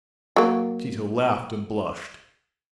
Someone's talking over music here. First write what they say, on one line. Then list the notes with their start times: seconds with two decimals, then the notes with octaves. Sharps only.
Tito laughed and blushed.
0.36 F#3 A#3